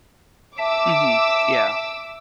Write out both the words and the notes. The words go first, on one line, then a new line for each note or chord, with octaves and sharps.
Mhm. Yeah.
E5 A5 D6 E6